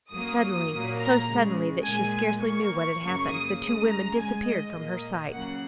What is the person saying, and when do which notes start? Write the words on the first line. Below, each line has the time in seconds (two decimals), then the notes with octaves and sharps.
Suddenly, so suddenly that she scarcely knew what had happened, the two women disappeared from her sight.
0.11 F#2 F#3 A#3 D#6
0.69 A#2 F#3 A#3
0.98 A#5
1.26 C#3 G#3
1.84 A#2 G#3 G#5
2.13 G#5
2.42 A#2 A#3 C#6
3.00 F#2 C#3 A#3 C#6
3.29 D#6
3.58 F#2 C#3 G#3 D#6
3.87 A#5
4.16 G#2 G#3 G#5
4.44 D#5
4.73 A#2 A#3 D#5
5.31 C#3 F#3 A#3 F#5